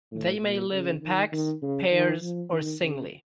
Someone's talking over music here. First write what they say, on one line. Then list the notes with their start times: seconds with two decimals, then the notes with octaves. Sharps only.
They may live in packs, pairs, or singly.
0.11 A2
0.42 A#2
0.72 C#3
1.02 D#3
1.32 D#3
1.62 C#3
1.92 D#3
2.22 F3
2.52 D#3
2.82 C#3